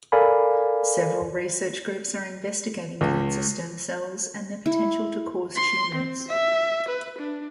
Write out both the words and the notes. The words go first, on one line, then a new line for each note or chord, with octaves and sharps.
Several research groups are investigating cancer stem cells and their potential to cause tumors.
A4 A#4 D5 F5 G#5 B5
C#2
E4
C6
C4
E5
B4
D4